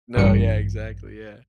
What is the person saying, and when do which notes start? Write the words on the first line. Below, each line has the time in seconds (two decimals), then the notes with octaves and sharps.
No, yeah, exactly, yeah.
0.16 A1 G2 C#7